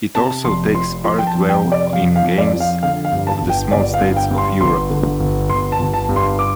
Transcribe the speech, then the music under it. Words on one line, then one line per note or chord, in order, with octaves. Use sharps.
It also takes part well in Games of the Small States of Europe.
C3 A5
F1 C6
F3 C6
F3 C6
G5
A5
F2
G5
C3
D5
F2 F5
F5
F2
D5
F3
F5
D3 F5
F5
G2
A5
G1
G5
G1 D5
F5
G2
G5
G2
C6
G1 C6
D3
G1
G1 C6
A5
G1
A5
G2
C6
D6